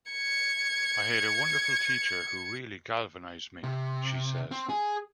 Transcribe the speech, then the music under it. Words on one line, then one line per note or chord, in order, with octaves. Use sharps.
"I had a wonderful teacher who really galvanized me," she says.
G#6 C#7
C3
C4
G#4